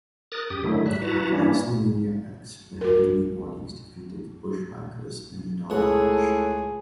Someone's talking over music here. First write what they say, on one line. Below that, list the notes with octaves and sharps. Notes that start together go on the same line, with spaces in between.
At WrestleMania X the Heavenly Bodies defeated the Bushwhackers in a dark match.
A#4 D#6 F#6 A6
F#2 G4 D#6
D3 D#3 F#3 A3 E4
G#2 G3 E5 F#6
E4 F#4 B4 A5 A#5
E3 G3 A#3 C#4 D4 E4
F#4 A#4
C#2 A2 G#4 A4 F#5